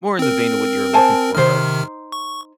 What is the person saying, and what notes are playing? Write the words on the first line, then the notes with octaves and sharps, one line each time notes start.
more in the vein of what you're looking for, but,
C4 A#4
C5 G#5 A5
C3 D#3 D#4 C5 F6
C#6